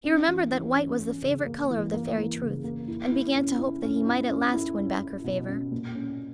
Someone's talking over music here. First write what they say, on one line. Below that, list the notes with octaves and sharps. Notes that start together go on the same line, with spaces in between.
He remembered that white was the favorite color of the Fairy Truth, and began to hope that he might at last win back her favor.
C#4
E3
E3
C#4
C#4
C#3
A#3
E3
A#3
E3
C#3
A#3
E4
E4
C#4
E4
C#4
E4
C#4
E4
C#4
E4
B2
C#4
A#2
C#4